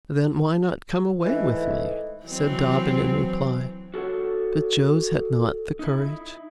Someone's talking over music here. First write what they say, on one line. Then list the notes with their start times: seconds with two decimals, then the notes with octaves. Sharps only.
"Then, why not come away with me?" said Dobbin in reply; but Jos had not the courage.
1.26 G#2 E3 A3 D#5
2.26 E3 F#3 C4
3.94 F#4 A4 A#4 C#5 F#5
5.79 D#4 E4